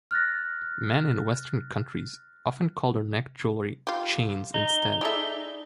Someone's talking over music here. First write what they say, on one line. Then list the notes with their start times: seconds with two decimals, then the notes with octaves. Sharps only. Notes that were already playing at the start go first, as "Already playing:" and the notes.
Men in Western countries often call their neck jewelry "chains" instead.
0.11 F6 F#6 A6 A#6
3.87 F4 G4
4.54 D#4 G7
5.01 D4 E4 G#4 A4 E5